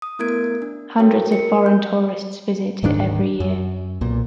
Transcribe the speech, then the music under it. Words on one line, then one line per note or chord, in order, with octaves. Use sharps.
Hundreds of foreign tourists visit it every year.
D#6
A3 B3 E4 A#4 G#6 D7
D4
F#4 A4 A#4 C#5 G5
A#4 C#7
G6
D1 G#2 D#3 D4
F#2
B1 A#2